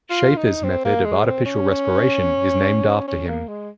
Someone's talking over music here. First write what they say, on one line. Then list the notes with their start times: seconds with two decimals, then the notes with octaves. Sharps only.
Schafer's method of artificial respiration is named after him.
0.10 F4
0.37 D#4
0.64 C4
0.85 A#3
1.05 G#3
1.25 C4
1.45 C#4
3.08 C#4
3.28 A#3
3.48 G#3